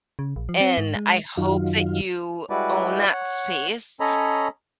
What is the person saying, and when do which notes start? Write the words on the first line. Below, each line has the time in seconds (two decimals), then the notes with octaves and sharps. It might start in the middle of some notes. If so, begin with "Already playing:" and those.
And I hope that you own that space,
0.19 C#3
0.36 A#1
0.49 F3
0.61 C4
0.78 G#2
0.96 G#3
1.37 F#2 D#3 F#3 F4
2.50 G3 G#3 E4 F#4 B4 D5
3.13 C#5 F#5
4.00 C#4 A4 C#5 D#5 A#5 B5